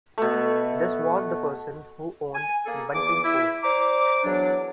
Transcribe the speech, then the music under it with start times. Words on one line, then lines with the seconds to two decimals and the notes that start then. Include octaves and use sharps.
This was the person who owned Buntingford.
0.18 B2 A3
2.35 G#5
2.66 A#3 G#4 A4
2.94 E2 D6
3.24 E4
3.63 C5 D5 A#5 D6
4.24 E2 F#3 D4